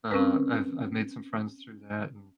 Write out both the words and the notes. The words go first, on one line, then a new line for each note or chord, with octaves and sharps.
Uh, I've I've made some friends through that and
C4 C#4 A#4 B4